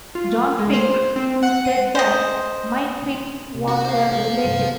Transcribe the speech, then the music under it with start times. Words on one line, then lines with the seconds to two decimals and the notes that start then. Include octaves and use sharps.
John Fink, who said that Mike Fink was a relative.
0.15 F4
0.59 G#3
0.73 C5
1.16 C4
1.43 F#5
1.65 D#7
1.95 C5 D#5
3.55 C3
3.69 F#4
3.85 C5 F5
4.45 G2 C3 F#3